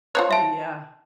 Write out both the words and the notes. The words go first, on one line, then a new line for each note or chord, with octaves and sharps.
Oh, yeah.
F4 C5 C#5 F#6
E5 A5